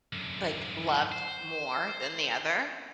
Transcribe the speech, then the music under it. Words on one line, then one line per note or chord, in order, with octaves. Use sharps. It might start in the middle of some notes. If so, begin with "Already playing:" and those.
like, loved more than the other.
F#2 D3
C5